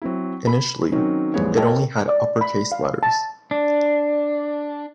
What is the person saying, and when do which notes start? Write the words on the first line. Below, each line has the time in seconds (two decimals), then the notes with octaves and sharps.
Initially, it only had upper-case letters.
0.02 F#3 C4 E4
0.47 B5
0.92 D#3 F#3 C4 C#4 D#4
1.34 A1 F2 G3 G#3 B3 C#5
1.57 A4 A#4 C#5 D#5 G5 A5
2.08 D5
2.41 B5
2.72 F5
3.03 A5
3.51 D4